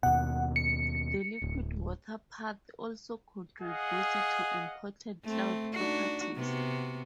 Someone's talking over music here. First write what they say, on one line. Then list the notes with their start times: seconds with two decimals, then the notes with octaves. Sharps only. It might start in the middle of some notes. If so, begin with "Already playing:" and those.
The liquid water path also contributes to important cloud properties.
0.03 D#2 B2 F#5
0.56 C#7
1.42 D1
3.62 G#4 D#5 F5 F#5
5.25 A3 C4
5.74 D4 D#4 F#4
6.35 C3 B3 F#4